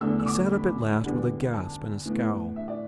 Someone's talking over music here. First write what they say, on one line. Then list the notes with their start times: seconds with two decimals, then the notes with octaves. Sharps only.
He sat up at last with a gasp and a scowl.
0.01 E2 D3 A3 E6
0.20 E6
0.26 D6
0.52 B5
1.03 E2 D3 G3 B3
1.54 A5
2.06 A2 E3 B3
2.56 E5
2.68 D5